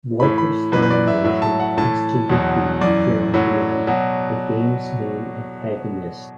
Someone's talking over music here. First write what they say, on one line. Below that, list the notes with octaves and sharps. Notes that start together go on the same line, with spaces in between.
Walkers's final mission is to defeat General Diem, the game's main antagonist.
A2 E3 B5
B5
F#2 E3 B4
B4
D5
E5
A2 F#3 E5
A5
F#5
A2 E3 A5
E2 B2 F#3
F#2 E3 D5
A2 F#3
B2 F#3